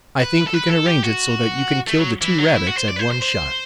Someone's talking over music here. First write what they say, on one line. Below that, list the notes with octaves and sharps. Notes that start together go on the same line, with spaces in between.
I think we can arrange it so that you can kill the two rabbits at one shot.
B4
A4
B4
A4
G4
F#4
A3
F#3
E3
F#3
E4
F#4
C5
D5
B4
C5
C5
C5